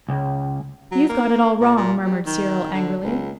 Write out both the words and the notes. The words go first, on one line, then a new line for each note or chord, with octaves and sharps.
'You've got it all wrong,' murmured Cyril angrily.
C#2
F#3
A#3
A#2
A#2
G3
D#3
D3
C#2